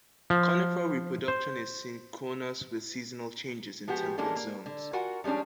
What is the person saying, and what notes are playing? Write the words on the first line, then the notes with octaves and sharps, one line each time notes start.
Conifer reproduction is synchronous with seasonal changes in temperate zones.
F3
C5
F3 G#3 B3 F#4 G4
E3 G#3 A#3 C#4 D4 A4
A#3
D3
F4 F#4 A#4 F#5 G#5
F3 G3 G#3 C#4 D4